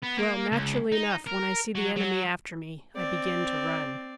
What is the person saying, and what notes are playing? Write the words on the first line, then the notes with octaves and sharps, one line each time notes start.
"Well, naturally enough when I see the enemy after me I begin to run."
B3
A#3
C#2
D#4
A#4
F#3
F#3
C4 D5